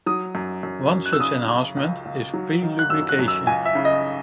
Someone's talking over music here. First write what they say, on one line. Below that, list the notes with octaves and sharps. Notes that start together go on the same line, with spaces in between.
One such enhancement is pre-lubrication.
F#3 D#6
F#2
F#2
F#2
F#6
E6
C#3 D#6
C#3
C#2
C#2
F#3
D#3
F#6
F#2 E6
F#6
F#2
E6
C#2 G#5
E5
C#3
D#5